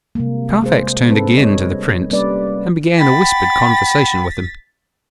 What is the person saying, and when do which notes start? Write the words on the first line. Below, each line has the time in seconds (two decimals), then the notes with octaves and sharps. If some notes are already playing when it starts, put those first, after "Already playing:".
Carfax turned again to the Prince, and began a whispered conversation with him.
0.15 C3 G3 G#3 A#3
0.62 G#3 G#4 C5
1.09 G3 C4 D4 A4 B4
1.37 G3 C#5 D#5
2.11 G3 A#3 C#4 B4 D5
2.97 F#5 G5 B5 A6 B6